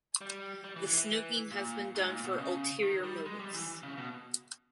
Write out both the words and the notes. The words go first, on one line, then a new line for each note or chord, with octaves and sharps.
The snooping has been done for ulterior motives.
G3
G3
E3
E3
E3
A#2
G#2
A#2
B2
C#3
D#3
G3
G#3
G3
E3
C#3
B2